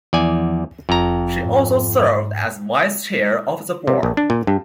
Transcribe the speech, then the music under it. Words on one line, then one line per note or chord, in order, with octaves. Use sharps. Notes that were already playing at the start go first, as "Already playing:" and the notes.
She also served as vice-chair of the board.
E2 F3 D5 G#5
F1 F2 A#5
G#2
C3
A#1
D4
A#2
G2